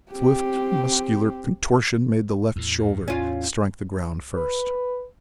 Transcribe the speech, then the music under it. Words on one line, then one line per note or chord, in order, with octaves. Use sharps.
A swift muscular contortion made the left shoulder strike the ground first.
C4 G4
E2 A2
C#4 F4
B4